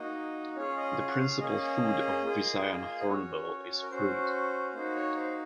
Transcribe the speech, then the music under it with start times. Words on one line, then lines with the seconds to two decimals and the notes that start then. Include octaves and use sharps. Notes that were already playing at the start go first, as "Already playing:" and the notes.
The principal food of Visayan hornbill is fruit.
Already playing: A#3 D#4 F#4 D#5
0.56 C#4 F4 G#4 C#5
0.77 D#5
1.08 F#5
1.19 F5
1.40 A#3 C#4 G#4 D#5
2.24 A#3 F4 G#4
3.00 D#5
3.07 C#4 F#4 C#5
3.82 A#4
3.91 C#4 F#4 C5
4.74 A#3 D#4 F#4 C5
4.96 C#5
5.16 C5